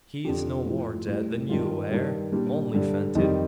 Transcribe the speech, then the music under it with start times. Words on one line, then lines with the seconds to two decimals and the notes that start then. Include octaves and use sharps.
He's no more dead than you air--only fented.
0.24 F2 D3 F3 G4
0.66 A2 F3
1.08 A2 G3
1.49 G2 D#3 G3 F4
1.91 G2 D#3 G3
2.32 A#2 G3 D4
2.74 G2 D3 G3
3.15 F2 D#3 G3 D#4